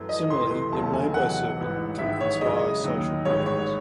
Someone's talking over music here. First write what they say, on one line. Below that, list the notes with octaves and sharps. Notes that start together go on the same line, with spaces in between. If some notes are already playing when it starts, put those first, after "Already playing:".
Similarly, the Rainbow Serpent can inspire social movements.
Already playing: F#2 E3 A3
D#5
C#2 C3 E3 A3 C6
C6
E1 D#2 C#3 F#3 A3 A5
G#5
E1 E2 C3 F#3 F#5
A1 G#2 E3
A1 G#2 D#3 E5
C#5
F#2 C#3 G#3 D#5
D#2 D#3 F#3
A1 G#2 D#3 G#3 C#5
C#5